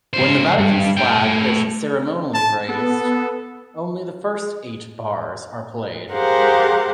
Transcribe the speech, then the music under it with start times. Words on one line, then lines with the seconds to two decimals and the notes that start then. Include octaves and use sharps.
When the Vatican's flag is ceremonially raised, only the first eight bars are played.
0.13 C#2 C5
0.58 G2
0.97 A3 G5
2.34 A5
2.68 B3 A4
6.11 G4 G#4 A#4 C5 F5 F#5